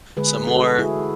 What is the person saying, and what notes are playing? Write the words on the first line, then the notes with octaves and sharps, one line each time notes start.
so more m
D3 G#3 G#4 B4
F#4 A4
E4 G#4